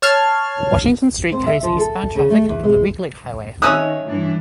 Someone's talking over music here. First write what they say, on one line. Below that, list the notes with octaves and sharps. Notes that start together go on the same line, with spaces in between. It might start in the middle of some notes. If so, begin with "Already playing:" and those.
Washington Street carries eastbound traffic and the Louis Glick Highway.
C#5 A5 F6 G#6 C7
C4
E5
F3
A4
C#3
A3
E2
G#3
D#3 A3 C#4 C#5 D#6 E6 F#6
G2 E3 D4